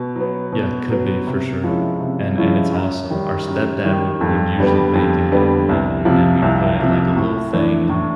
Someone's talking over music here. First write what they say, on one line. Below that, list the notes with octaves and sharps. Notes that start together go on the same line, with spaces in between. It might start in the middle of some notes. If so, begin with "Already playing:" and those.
Yeah. Could be for sure. And and it's awesome. Our stepdad would would usually make it, and and and we put in, like, a little thing and,
Already playing: B2
F#3 B3
B2
F#3 B3
C3
F3 G#3 C#4 E4
C3
F3 G#3 C#4 E4
F#2
D#3 G3
F#2
D#3 G3
F2
D3 G3 B3
F2
D3 G3 B3
C2
C3 F3
C2
C3 F3
A2
E3 A3 D4
A2